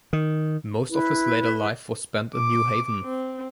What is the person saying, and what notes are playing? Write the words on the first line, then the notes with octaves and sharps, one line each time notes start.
Most of his later life was spent in New Haven.
D#3
E4 B4
D6
C4